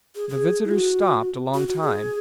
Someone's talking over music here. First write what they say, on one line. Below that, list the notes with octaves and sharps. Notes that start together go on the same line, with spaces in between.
The visitors stopped a long time.
G#4
G#4
E4
F#4
F#4
F#4
G#4